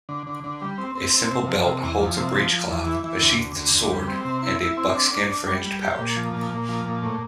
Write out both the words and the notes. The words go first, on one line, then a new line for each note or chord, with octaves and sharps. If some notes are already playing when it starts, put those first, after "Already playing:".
A simple belt holds a breech cloth, a sheathed sword, and a buckskin-fringed pouch.
D3
D3
D3
G3
C4
C4
C4
C3
F3
C3
E2
F3
C3
F3
F3
E2
E3
E3
D2
D2
D2
D2
G3
C4
C3
E4
E4
C4
D4
D4
D4
G3
G3
G4
A#2
F3
A#2
A#2
F3
A#2
A2